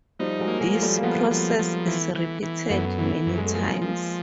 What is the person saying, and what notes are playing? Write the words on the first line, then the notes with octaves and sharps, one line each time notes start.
This process is repeated many times.
F3 G3 D#4
F#3 G#3
A#3
F#3 G#3
F3
G3 A3
A#3
F3 A3 B3
F3
F3
E3
E3
E3
F#2 A3 B3
E3
F#2
G#3
A3
F3 G#3 A#3
F3